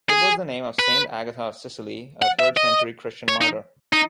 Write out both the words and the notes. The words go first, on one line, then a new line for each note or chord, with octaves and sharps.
It was the name of Saint Agatha of Sicily, a third-century Christian martyr.
G#4
B4
F#5
E5
D#5
C#5
D#4
D#4